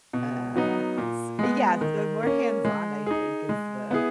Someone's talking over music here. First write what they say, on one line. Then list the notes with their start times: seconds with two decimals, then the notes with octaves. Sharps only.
uh, s yeah, so more hands-on, I think, is the
0.13 B2
0.56 F#3 B3 D#4
0.98 A#2
1.39 G#3 B3
1.81 D#3
2.23 A#3 C#4
2.65 G#3
3.06 D#4 G#4
3.49 G#3
3.91 B3 E4 G#4